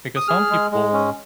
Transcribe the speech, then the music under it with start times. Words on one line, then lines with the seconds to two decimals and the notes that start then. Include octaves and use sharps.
because some people,
0.16 D#6
0.28 G#4 F6
0.50 G#3
0.72 G#3
0.93 C#4